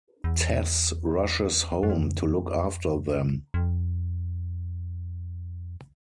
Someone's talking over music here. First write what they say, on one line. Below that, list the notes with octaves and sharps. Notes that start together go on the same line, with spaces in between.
Tess rushes home to look after them.
E2
F#2
F2
F2